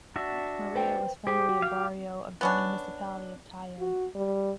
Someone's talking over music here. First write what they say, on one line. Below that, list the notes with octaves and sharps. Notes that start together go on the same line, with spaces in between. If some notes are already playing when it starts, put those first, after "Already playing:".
Maria was formerly a barrio of the municipality of Tayug.
D4 F#4 E5
B4 C5 G5
G4 G#4 C5
F#4
G4 F5
B3 C#4 D4
F#4
G3